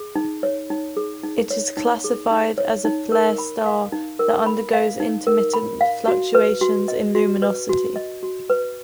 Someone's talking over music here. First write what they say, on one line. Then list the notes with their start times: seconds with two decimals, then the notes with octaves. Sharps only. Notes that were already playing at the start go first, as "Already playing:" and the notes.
It is classified as a flare star that undergoes intermittent fluctuations in luminosity.
Already playing: G#4
0.16 D#4
0.43 C#5
0.70 D#4
0.97 G#4
1.23 D#4
1.51 C#5
1.77 D#4
2.04 G#4
2.31 D#4
2.58 C#5
2.85 D#4
3.12 A#4
3.38 B5
3.66 F5
3.92 D#4
4.19 A#4
4.46 B5
4.73 F5
5.00 D#4
5.27 A#4
5.54 B5
5.81 F5
6.08 F#4
6.35 B4
6.61 F#4
6.88 D#5
7.15 F#4
7.42 B4
7.69 F#4
7.96 D#5
8.23 F#4
8.50 B4